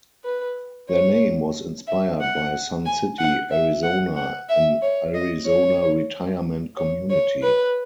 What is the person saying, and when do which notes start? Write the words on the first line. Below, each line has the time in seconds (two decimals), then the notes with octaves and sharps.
Their name was inspired by Sun City, Arizona, an Arizona retirement community.
0.24 B4
0.89 C#5
1.87 E5
2.21 F#5
2.85 G#5
3.18 F#5
3.51 E5
3.83 F#5
4.16 F#5
4.49 E5
4.82 C#5
5.14 D#5
5.46 C#5
6.77 C#5
7.10 C#5
7.42 B4